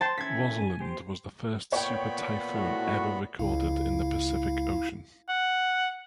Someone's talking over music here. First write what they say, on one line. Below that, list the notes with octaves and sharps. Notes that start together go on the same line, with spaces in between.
Rosalind was the first super typhoon ever recorded in the Pacific Ocean.
C5 G5 A5 C6
E3 C#4 A4 G#6 B6
G#5
G4 C5
A#2 B3 C#5 G5 B5
A2 F#4
C#2 E4 F5
F#5